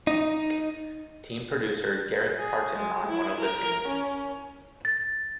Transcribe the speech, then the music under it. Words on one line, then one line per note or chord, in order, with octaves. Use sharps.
Team producer, Gareth Parton, on one of the tunes.
D#4
G#4
G#3
E4
A#4
C#4
A6